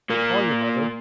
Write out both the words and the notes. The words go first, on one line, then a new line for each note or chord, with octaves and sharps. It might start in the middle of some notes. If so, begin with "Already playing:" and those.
Call your mother.
A#2 A#3